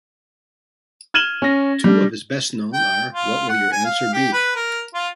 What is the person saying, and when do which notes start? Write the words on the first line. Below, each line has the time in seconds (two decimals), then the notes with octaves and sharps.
Two of his best known are What Will Your Answer Be?
1.14 F6 G#6 D#7 E7 F#7 G7
1.42 C#4 A#6
1.84 G3 D4
2.73 G5
3.14 F4
3.49 F#5
3.72 G#5
3.85 F5
4.14 G4
4.33 B4
4.56 A#4
4.94 F4